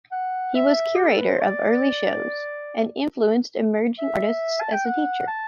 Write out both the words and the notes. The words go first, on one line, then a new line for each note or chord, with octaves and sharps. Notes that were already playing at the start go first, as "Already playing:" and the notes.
He was curator of early shows, and influenced emerging artists as a teacher.
F#5
E5
G4
A4
B4
C5
D5
E5
A5
G5
F#5
A5